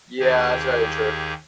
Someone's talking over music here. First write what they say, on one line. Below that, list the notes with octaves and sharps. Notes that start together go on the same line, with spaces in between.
Yeah, that's very true.
D#2 G4 G#4